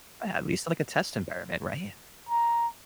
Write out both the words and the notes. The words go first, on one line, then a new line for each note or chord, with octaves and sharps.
At least, like, a test environment, right?
A#5